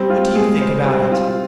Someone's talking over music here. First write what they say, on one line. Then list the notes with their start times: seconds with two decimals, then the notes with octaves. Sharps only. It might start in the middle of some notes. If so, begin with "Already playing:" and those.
"What do you think about it?"
Already playing: G3 C4
0.10 F4
0.35 G#3 G#4
0.61 C5
0.86 G3 C4
1.12 F4